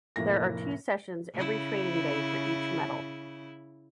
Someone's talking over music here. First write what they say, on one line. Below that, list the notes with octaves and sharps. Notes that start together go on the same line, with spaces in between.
There are two sessions every trading day for each metal.
F1 A2 A#3 A#6
C#3 E4